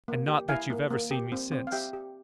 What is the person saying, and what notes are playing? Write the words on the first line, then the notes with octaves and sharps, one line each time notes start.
"And not that you've ever seen me since?"
A#3
G4
E4 F5 G#5
A#3
A#3
G4
C4
C4
F5
G4 E5 G5
G4